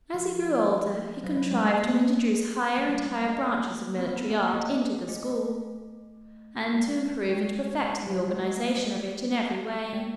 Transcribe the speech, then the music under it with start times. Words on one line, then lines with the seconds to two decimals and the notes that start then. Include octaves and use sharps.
As he grew older he contrived to introduce higher and higher branches of military art into the school, and to improve and perfect the organization of it in every way.
0.14 F3
1.24 F#3
1.37 F#3
1.51 G#3
1.64 A3
1.79 A#3
2.78 G#3
2.89 G3
3.07 A3
3.25 A3
3.44 A#3
3.99 C4
4.17 B3
4.30 A3
4.36 A#3
4.53 A3
5.09 A3
6.74 G#3
7.29 G#3
8.07 F#3
8.18 G3
8.29 G#3
8.39 A3
8.57 A#3
8.75 A3
8.95 G#3
9.93 G#3